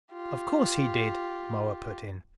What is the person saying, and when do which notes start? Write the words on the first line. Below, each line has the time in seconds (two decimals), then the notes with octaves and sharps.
"Of course he did," Moa put in.
0.13 F4 G4